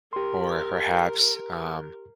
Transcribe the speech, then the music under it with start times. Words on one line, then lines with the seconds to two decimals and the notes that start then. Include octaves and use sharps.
or perhaps, um
0.13 G4 A#4 C6